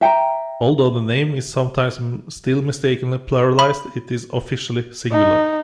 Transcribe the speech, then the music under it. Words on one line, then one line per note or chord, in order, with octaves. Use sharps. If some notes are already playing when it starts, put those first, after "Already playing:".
Although the name is sometimes still mistakenly pluralized, it is officially singular.
E5 G5 A5 A#5
B5
D#4